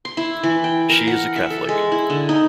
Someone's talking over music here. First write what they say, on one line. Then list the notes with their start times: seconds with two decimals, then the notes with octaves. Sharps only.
She is a Catholic.
0.05 C6
0.17 E4
0.43 E3
0.64 G5
0.89 A#4
1.07 F#5
1.36 E5
1.50 A4
1.69 G#3
1.92 E4
2.10 D3
2.29 D#4